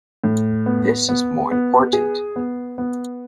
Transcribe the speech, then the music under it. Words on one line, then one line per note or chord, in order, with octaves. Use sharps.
This is more important.
A2
B3
B3
B3
G#4
B3
B3